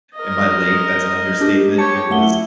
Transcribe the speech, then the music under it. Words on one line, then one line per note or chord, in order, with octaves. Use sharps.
And by lake, that's an understatement. It was
A#4 D#5
D4 G4
G4 C#5 A5 C#7
A3 E4 F#5 G7